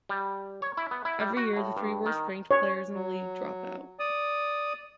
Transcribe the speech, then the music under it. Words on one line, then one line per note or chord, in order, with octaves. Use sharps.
Every year, the three worst-ranked players in the league drop out.
G3
C#5
E4
B3
E4
G3
F#4
A2
G2
D#3
C#5
F#3
D5 D#6